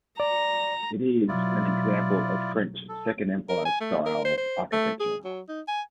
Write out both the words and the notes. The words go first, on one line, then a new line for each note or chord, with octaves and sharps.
It is an example of French Second Empire-style architecture.
D5 A#5
B2 F#3 E4 F4 D5
A4
A#4
G#5
A3
A#4
C5
C5
A3
G#4
F#3
D#4
G#5